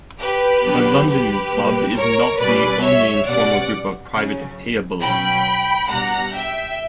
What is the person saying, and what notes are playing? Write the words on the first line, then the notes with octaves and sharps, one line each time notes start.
The London Club is not the only informal group of private payables.
G4 B4
D3 F#3 B3 D4
G4 B4
B2 G3 A#3
A#4 C#5
B2 G3 C#4 B4 D5
C#5 E5
B2 G3 C#4 D5 F#5
C#3 F#3 C#4
B2 F#3 C#4 G5 B5
B2 G3 B3 D4 F#5 A#5
E5 G5